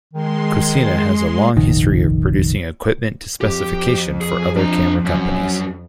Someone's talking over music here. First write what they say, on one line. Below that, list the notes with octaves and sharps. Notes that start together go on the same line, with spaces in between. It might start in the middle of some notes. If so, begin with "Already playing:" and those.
Cosina has a long history of producing equipment to specification for other camera companies.
D#3 G#3 C6
F1 A#1 D#3
F2 G4
G#4
D4 A#5
F#2